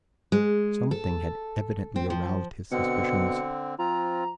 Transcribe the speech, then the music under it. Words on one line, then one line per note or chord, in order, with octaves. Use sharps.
Something had evidently aroused his suspicions.
G#3
A4
C4
F3
B2 D3 C4 C#7
F3 C4 F4 A#5